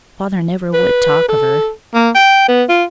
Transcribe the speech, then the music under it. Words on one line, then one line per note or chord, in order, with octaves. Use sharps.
Father never would talk of her.
B4
A4
A#3
G5
B3
F4